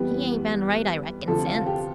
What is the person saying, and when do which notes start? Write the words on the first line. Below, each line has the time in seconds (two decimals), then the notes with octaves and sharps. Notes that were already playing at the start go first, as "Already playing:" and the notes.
He ain't been right, I reckon, since.
Already playing: F2 E3 G3 B3 B4
1.28 D2 C3 F3 A4
1.47 F4
1.66 G4